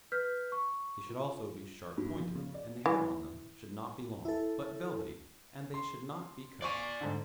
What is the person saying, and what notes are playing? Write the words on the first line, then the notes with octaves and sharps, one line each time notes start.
They should also be sharp pointed, and the hair on them should not be long, but velvety, and they should not be cut.
B4 F6 G6 B6
C#6
F4
G2
F3
C#3
D5
E3
E4 A4
C6
C5 D5 G#5 C#6
G#2 D3